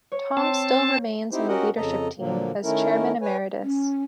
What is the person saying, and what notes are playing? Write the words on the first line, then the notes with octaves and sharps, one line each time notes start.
Tom still remains on the leadership team as Chairman Emeritus.
C#5
C4 A5
C4 D#4 E4 G4 C5
C#4 F#4 G4 A#4 D#5 F#5
F2 C#3 A4 D#5 A#5
A#2 D3 F3 F#3 A#3
D#3 A3 C#4 E4 A#4
B4 C#5 G#5
C#4